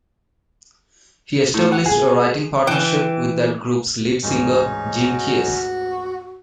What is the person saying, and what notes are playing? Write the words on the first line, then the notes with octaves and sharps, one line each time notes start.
He established a writing partnership with that group's lead singer, Jim Keays.
A2
F#5
G#4
E3 G5
A1 D2 G#2 C#4 D#4
F#4